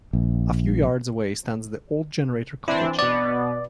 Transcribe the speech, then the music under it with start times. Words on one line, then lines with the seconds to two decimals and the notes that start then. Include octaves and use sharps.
A few yards away stands the Old Generator Cottage.
0.13 A#1
2.68 E3 C4 D4 E4
2.99 B2 B3 D5